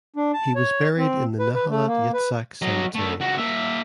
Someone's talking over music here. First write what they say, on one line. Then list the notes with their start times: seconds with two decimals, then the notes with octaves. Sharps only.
He was buried in the Nahalat Yitzhak cemetery.
0.16 D4
0.34 A5
0.56 C#5
0.98 C4
1.39 B4
1.55 B4
1.70 A3
1.87 A#3
2.14 B4
2.62 F#3 D#5
2.95 D3 A3
3.20 C#2 F#4
3.38 A#3 E5